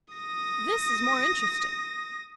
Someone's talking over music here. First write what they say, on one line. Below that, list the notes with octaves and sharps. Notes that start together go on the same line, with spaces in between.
This is more interesting.
D#6 A#6